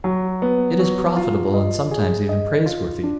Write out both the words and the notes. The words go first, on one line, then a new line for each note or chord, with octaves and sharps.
It is profitable and sometimes even praiseworthy.
F#3
B3
F#3
F4
D#5
G#4
D#5
F4
D4